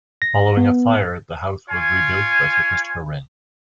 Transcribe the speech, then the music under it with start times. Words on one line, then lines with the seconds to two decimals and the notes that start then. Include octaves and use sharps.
Following a fire, the house was rebuilt by Sir Christopher Wren.
0.22 A#6
0.57 B3
1.70 F4 C#5 G#5